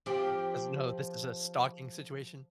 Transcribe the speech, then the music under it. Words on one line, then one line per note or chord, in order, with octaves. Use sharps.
'Cause, no, this is a stalking situation.
F3 C4 G4